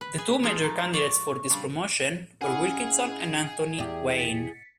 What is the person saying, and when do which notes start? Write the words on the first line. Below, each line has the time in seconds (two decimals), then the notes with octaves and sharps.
The two major candidates for this promotion were Wilkinson and Anthony Wayne.
0.01 B4
0.18 G#4 B4 E5
0.43 F3 D#4 F4 G#4
0.62 G#3 A3 A#5
0.94 D5 C#6
1.50 C#3 G3 D4
2.41 C#4 E4 G#4 D#5 F5 F#5 G#5
3.78 E2 G4 D5
4.18 A6 B6 C#7